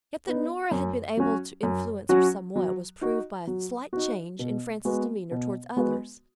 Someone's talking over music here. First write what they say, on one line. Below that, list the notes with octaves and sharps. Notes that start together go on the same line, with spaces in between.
Yet that Nora had been able to influence her somewhat was proved by a slight change in Frances' demeanor towards others.
B3 D#4
F#2
F#3 C#4 F#4
F#2
F#3 C#4 F#4
F#3
D#4 F#4
F#3
D#4 F#4
B2
G#3 B3 F#4
B2
G#3 B3 F#4